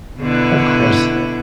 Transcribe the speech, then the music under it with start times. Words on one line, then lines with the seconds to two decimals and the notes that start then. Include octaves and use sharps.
Of course, yea
0.19 B2 D3 E4